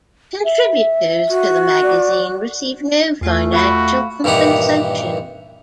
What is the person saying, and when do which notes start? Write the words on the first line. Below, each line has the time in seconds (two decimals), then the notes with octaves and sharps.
Contributors to the magazine receive no financial compensation.
0.44 E5
1.29 F#4
1.83 D5
3.21 E2 A3 F4 G#5
3.52 F#4 F5 B5
4.24 G2 A#2 D#3 E3 G4 F#5